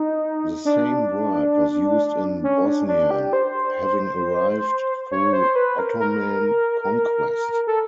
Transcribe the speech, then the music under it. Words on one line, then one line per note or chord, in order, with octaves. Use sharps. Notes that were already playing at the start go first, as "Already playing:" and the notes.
The same word was used in Bosnian, having arrived through Ottoman conquest.
Already playing: D#4
D4
C#4
D4
D4
G4
C5
C#5
C5
B4
A#4
A#4
A4